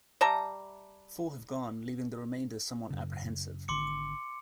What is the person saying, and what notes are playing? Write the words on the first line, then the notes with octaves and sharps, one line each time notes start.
Four have gone, leaving the remainder somewhat apprehensive.
G3 E5 A5 A#5
F#2 C#3
G#1 D3 C6 D6 C#7